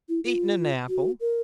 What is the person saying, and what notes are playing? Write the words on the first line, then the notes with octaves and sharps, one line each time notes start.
"Eatin' 'n apple."
E4
F4
F#4
A#4